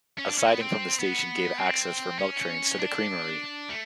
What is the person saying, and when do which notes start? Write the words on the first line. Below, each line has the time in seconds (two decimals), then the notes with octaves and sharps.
A siding from the station gave access for milk trains to the creamery.
0.18 C#4
0.29 D4
0.38 C#4
0.47 C4
0.54 B3
0.61 C4
0.99 B3
1.59 C4
2.19 C#4
2.79 D4
3.69 A3